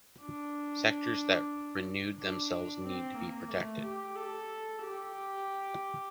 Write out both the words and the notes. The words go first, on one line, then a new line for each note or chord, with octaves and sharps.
Sectors that renewed themselves need to be protected.
D4
D4
C4
A#3
A3
G4
A4
G4